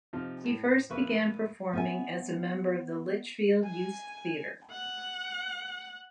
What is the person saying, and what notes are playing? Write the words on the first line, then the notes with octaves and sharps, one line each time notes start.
He first began performing as a member of the Lichfield Youth Theatre.
C3 F3 D#4 F4
A2
A#1 A#3 E4 B4 C#6
B3 E5 G#5
G#5
F#5